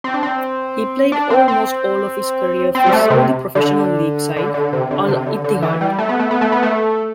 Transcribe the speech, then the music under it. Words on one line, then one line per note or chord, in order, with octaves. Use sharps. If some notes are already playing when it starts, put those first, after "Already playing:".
He played almost all of his career for Saudi Professional League side Al Ittihad.
C4
D4
C4
D4
C4
C4
C4
G3
A3
C3
D3
D3
D3
C3
D3
C3
D3
D3
E3
G3
A3
B3
A3
B3
A3
B3
A3